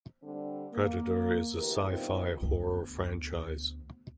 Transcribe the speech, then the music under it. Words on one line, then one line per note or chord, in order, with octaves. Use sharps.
Predator is a sci-fi horror franchise.
D3 G3 C4 D4
A#3
D2 E3 G4 A#4
G2 B2 B3 C4 D#4 F4
D2 B3